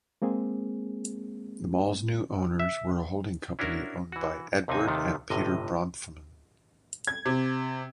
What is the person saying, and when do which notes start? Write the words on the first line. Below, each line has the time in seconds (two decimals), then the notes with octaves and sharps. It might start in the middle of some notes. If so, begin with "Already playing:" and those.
The mall's new owners were a holding company owned by Edward and Peter Bronfman.
0.22 G#3 A#3 C4 G#4
2.60 E5
3.59 C#4 D4 E4 F#4 A#4
4.12 E3 F#4
4.68 D#2 C3 C4 D#4 G#5
4.87 D#2 C3 D#3 A3
5.30 G1 A2 C3 D#5
7.07 G#6
7.26 C3